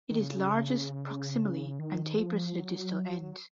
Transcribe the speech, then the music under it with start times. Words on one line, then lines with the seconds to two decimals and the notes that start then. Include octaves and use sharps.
It is largest proximally and tapers to the distal end.
0.10 D#3
0.19 C#3
1.79 D#3
2.19 F3
2.58 F#3